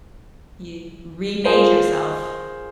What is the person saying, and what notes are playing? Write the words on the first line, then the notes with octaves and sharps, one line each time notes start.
You remade yourself.
F4 G#4 A#4 C5